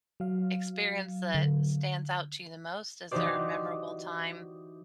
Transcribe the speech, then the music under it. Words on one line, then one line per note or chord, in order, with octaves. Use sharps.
experience that stands out to you the most? Is there a memorable time
F#3 F5
D3
E3 D#4 F#4 G4 C5 D5